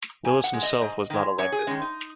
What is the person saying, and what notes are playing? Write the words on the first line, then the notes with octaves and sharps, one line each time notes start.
Willis himself was not elected.
G#2 G#5
F#5
G#3
D#5
G#2
D#3 G#3
F#2 C#5
G#4
D#3 G#3 C#4
D#4